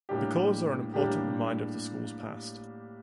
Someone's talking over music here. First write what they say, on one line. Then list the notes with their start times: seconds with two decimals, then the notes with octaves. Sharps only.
The colors are an important reminder of the school's past.
0.09 A2 G3 A#3 D4 G4
0.94 A2 G3 A#3 D4 G4